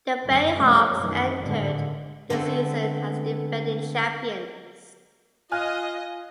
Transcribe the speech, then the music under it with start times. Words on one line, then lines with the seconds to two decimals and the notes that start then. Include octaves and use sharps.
The Bayhawks entered the season as defending champions.
0.23 C#2 F#2 D3
0.56 F2 C3 G3 A3 A#3 C#4
0.99 F#2 D#3 E3
1.39 G#1 A2 D3 G#3
2.30 D3 G#3 A3 B3 C4
5.52 F4 D#5 G#5 F6 F#6